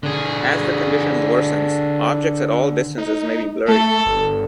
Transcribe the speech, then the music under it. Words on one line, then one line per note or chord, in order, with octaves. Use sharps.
As the condition worsens, objects at all distances may be blurry.
D3 G#4
D#4
A3 A4
G1